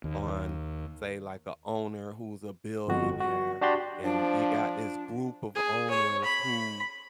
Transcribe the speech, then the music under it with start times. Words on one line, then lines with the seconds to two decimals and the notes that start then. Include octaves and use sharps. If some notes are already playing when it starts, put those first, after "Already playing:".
on, say, like, a owner who's a billionaire, and you got this group of owners who
0.04 D#2
2.87 G1 F2 F#4
3.20 F#4
3.61 D4 F#4 G4 D5 C6
4.04 F3 D4
5.55 G#4
5.90 C#5
6.24 B5